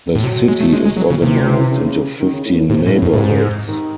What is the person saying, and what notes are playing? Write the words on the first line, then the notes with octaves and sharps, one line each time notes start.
The city is organized into fifteen neighbourhoods.
A2
C3 F#3
G#3
A3
G#3
G#3
F#3
C#3
C3 E3
F#3
E3
E3
C#3
D#3
C#3
A2
A2
A2 C3
A2
G#2
A2
F#2
C3
A2
G#2
D#3